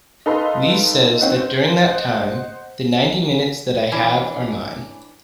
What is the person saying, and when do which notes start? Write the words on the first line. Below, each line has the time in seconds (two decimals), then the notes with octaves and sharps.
Li says that during that time, '...the ninety minutes that I have are mine.
0.26 D#4 A4 B4 D#5 F5 C6
1.21 C4 C#4 D#4 F#5
1.41 C5
1.84 C5 D#5 F#5
3.92 E3 C#4 D4